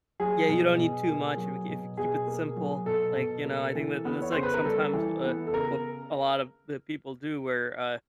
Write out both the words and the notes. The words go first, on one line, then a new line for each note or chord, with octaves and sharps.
Yeah, you don't need too much if you kee if you keep it simple. Like, you know, I think that that's, like, sometimes, uh, what a lot of the people do where, uh,
F#3 G#4
B2
B2
A#3
F#3
B2
B2 G#4
A#3
F#3
B2 A4
B2
A#3
E3
B3
C#5
C#3 C5
B4
A#4
G3 A4
E3
B3
A4
C#3 A#4